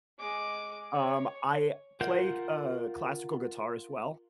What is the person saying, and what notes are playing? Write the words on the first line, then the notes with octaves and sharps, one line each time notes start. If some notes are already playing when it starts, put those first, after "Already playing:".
Um, I play c uh, classical guitar as well.
G#3 D6
C#5
F4 A#4 F#5 G6